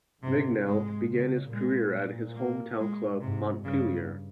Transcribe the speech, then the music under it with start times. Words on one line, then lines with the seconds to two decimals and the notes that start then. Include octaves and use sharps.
Vignal began his career at his home town club, Montpellier.
0.22 G#2 C3
0.65 G#2 G#3
1.08 C#3
1.50 A#2 G#3
2.36 A#3
2.79 G#3
3.21 G#2 C3
3.64 G2 C#3